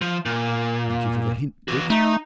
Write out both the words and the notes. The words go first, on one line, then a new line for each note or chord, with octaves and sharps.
Thank you for the hint, Dick.'
F3
A#2
E3 F#4
A3 D#4 A#5